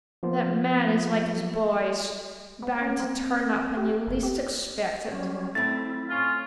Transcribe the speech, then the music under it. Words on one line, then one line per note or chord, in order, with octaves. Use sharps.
That man is like his boys--bound to turn up when you least expect it.
F3 A#3 B3 F4
B3
C#4
C4
G4
F#1
G4
F#3 G3 C#4
A3 C4 E4 A6
C#4 F4